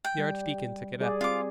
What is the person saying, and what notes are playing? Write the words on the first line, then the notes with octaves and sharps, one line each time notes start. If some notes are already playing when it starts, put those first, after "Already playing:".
The Archdeacon took it up.
G5
G3
G3 G#4 D5
C4 F4 D6